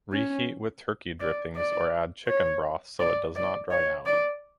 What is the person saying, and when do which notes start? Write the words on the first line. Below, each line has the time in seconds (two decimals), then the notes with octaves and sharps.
Reheat with turkey drippings or add chicken broth so it does not dry out.
0.12 C#4
1.20 D5
1.56 D5
2.27 C#5
2.99 D5
3.35 D5
3.71 C#5
4.06 D5